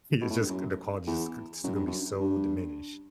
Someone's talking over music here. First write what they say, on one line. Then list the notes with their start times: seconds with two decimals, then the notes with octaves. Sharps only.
you just the quality is g just gonna be so diminished,
0.21 B2
0.30 A2
0.40 G2
0.49 F#2
1.07 E2
1.64 F#2
1.75 G2
1.87 F#2
2.20 G2